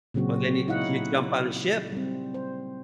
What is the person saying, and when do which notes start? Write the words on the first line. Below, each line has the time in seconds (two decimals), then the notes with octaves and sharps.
Well, then you you jump on a ship.
0.14 A#2 C#3 F#3 C4 F#4
0.68 D#4 E4 C#5 D#5 F5 F#5
1.92 G3 C4
2.34 C5